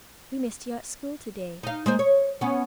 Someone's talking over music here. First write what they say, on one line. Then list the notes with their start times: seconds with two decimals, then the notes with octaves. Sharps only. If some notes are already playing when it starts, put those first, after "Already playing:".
"We missed you at school to-day."
1.63 D#4 F5
1.86 G#3 A#3 C5
1.99 C#5
2.41 B3 C#4